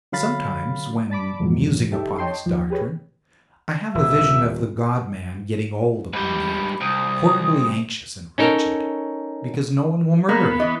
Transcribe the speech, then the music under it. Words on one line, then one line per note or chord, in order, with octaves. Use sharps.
Sometimes, when musing upon this doctrine, I have a vision of the God-man getting old upon the earth, horribly anxious and wretched, because no one will murder him.
D3 F#3 F5 B5 A6
D5 A5 B5 D6
F2 G#2 B2 E3 F#3
D#4 G4 A4 E5
C#5 D#5 G5 A5 C6
D#2 F3
G4 G#4 B4 C#5
D#1 E5
G#2 G3 B5
C2 D#6
C#4 D#4 A4 A#4 C#5
A#3 B3
E3 D#5